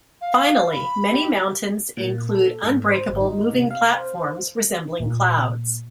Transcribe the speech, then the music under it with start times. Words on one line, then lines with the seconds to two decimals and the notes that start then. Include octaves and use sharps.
Finally, many mountains include unbreakable moving platforms resembling clouds.
0.21 F5
0.71 B5
1.11 G4
1.97 A#2
2.29 A4
2.64 G#2
2.88 C5
3.07 G#1
3.21 D#4
3.53 C3
3.71 F5
3.93 C5
5.00 A#2